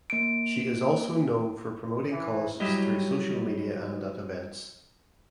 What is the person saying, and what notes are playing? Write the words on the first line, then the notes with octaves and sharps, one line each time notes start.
She is also known for promoting causes through social media and at events.
A#3 D7
E3
F#3 G3 E4 G4 D#5